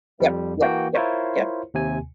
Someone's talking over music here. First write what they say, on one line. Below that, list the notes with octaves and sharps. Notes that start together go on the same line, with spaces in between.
Yep, yep, yep, yep.
F2 G3
E3 A#3 F#4 G5
E4 F4 A#4 C5 C#5
D#2 C3 G#5